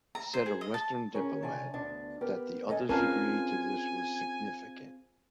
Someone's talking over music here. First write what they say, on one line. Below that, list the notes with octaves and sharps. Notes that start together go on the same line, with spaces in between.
Said a western diplomat, That the others agreed to this was significant.
A#5
C5
G#4
D#5
A5
C#4 G#4 A#4 C#5
C3 D4 C#5 G#5
D2 B3 D4
B3 G4 A#4
F#3 A3 A4 D#5 E5 G#5
C4 C#4 F4 G#4 A#4 B4 G#5 A5